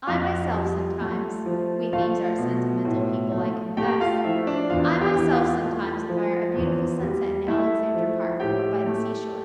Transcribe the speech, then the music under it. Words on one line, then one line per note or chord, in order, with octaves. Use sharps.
I myself sometimes--we thieves are sentimental people, I confess--I myself sometimes admire a beautiful sunset in Aleksandra Park or by the sea-shore.
F2 F4 F5
G3
A3
F3
A3 F4 F5
B2
A2
A3
A3 G4 G5
F4 F5
F3 E4 E5
D4 D5
E2 F4 F5
G4 G5
E3
F4 F5
A3
F3
E2
G3
A3 E4 E5
F3
A2 G4 G5
A3